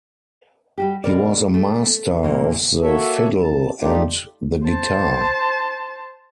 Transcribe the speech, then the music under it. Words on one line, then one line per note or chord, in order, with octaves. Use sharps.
He was a master of the fiddle and the guitar.
G3 F#4 G4
B2 D3 A#4 D5
A3
A#2 E3 A#3
A#3 F#4 A4 C#5 E5
A5
A3 D4 D#4 F4 G4
C5 A5